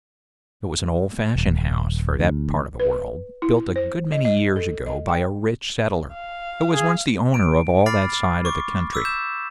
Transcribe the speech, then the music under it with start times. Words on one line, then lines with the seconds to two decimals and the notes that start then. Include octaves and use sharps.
It was an old-fashioned house for that part of the world, built a good many years ago by a rich settler, who was once the owner of all that side of the country.
1.36 D#1
2.19 D2
2.80 B4
3.42 E4
3.76 C5
4.12 D#5
4.25 D#5
4.56 A4
4.86 D#5
5.08 G5
6.13 F5
6.72 G#4
7.34 D7
7.86 B5 D6 F6 A6 C7
8.45 C#6 D6
8.93 D6 E6 B6
9.05 G6 E7